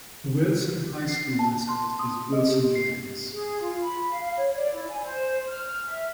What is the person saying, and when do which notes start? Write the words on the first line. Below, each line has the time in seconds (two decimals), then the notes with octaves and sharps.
The Wilson High School mascot is Wilson Dragons.
1.08 C7
1.39 A5
1.69 C6
1.99 D#6
2.33 D#5
2.49 G4
2.75 C7
3.32 G#4
3.59 F4
3.80 B5
4.10 F5
4.37 C#5
4.55 D5
4.74 E4
4.87 G#5
5.03 C5
5.46 F6
5.85 E5